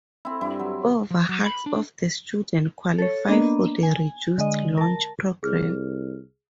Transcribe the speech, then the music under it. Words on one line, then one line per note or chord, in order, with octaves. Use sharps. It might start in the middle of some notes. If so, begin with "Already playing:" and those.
Over half of the student qualify for the reduced lunch program.
C4 E4
G2 G3 E4
F#3
F3
F#3
B5
D4
A4 C#5
A#3 B3 D4 D#5
G#5
D3 G#3 D#5
A#4 A5
C2 G#4 F6